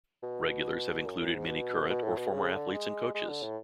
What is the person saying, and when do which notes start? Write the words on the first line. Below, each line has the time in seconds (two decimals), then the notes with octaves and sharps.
Regulars have included many current or former athletes and coaches.
0.23 B2
1.06 F#2
1.20 F#2
1.34 G#2
1.47 B2
1.89 B2
2.04 A2
2.18 B2
2.31 C#3
2.53 D3
2.73 G#3
3.15 G#3
3.29 D3
3.43 A2